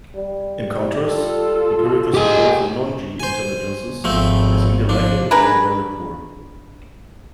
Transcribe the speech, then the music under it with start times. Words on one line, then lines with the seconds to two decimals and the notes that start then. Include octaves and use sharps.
In contrast, empirical support for non-"g" intelligences is either lacking or very poor.
0.16 G3
1.00 F4 A4
2.14 G#3 G4 G#5
3.20 C5 G#5
4.04 G#1 F3 A3 C4
4.89 F3 D4
5.31 D4 G#4 A#4 B4